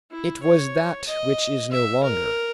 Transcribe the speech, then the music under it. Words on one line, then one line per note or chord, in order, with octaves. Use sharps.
It was that which is no longer.
E4
C#5
D#5
E5
A#4